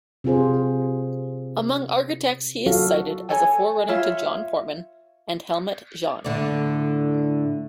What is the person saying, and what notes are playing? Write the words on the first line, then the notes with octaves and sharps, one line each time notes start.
Among architects he is cited as a forerunner to John Portman and Helmut Jahn.
C3 C4 F4 G#4 C5
F#3 F4 F#4 A4 F5
A4 C#5 G#5 A#5
F4 C#5 E5 F5
A2 D3 D5